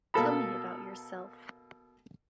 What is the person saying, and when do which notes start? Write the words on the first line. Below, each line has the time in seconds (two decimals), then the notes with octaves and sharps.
Tell me about yourself.
0.14 B2 A#3 A4 B5